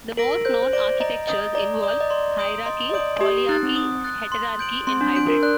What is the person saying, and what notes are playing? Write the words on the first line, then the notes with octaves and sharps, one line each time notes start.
The most known architectures involve hierarchy, polyarchy, heterarchy, and hybrid.
A#4 A#6 D7 F#7
C5 G6
C5
D5 A#6 D7 F#7
D#5 A#5
D#5 D#6 G6
D5 A#5
D5 D#6
G6
D#5
D5 C6
D#6 G6 D7 F#7
D#5 C6
D#5
D5 D#6 G6 D7 F#7
G4 D#6
D#4 F#6 A6
C4
D#6
F#6 A6
C6
G6 D7 F#7
C4 C6
D4
D4 G6 D7 F#7
A#4
D5 F#6